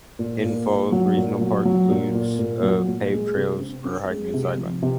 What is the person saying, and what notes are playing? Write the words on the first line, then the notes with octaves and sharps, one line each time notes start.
Hidden Falls Regional Park includes of paved trails for hiking and cycling.
A#2
A#2
A#2
F#3
A#2
F#3
F#3
A#2
A#2
A#2
F#3
A#2
G#3
C3
C4
C4
G#3
C3
F3
C3